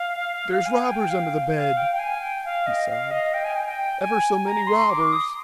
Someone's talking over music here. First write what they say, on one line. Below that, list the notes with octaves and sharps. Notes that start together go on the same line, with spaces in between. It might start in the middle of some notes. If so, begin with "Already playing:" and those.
"There's robbers under the bed," he sobbed; "ever so many robbers."
Already playing: F5
G#5
G#5
G5
F5
F5
G5
G5
G#5
G5
F5
D#5
F5
D#5
G5
G#5
G5
G5
G#5
A#5
C6
D6
D#6